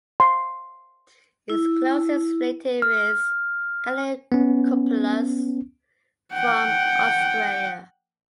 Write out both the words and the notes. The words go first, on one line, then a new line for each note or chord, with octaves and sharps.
Its closest relative is "Calycopeplus" from Australia.
C6
E4
F6
B3 C#4
F#5 G5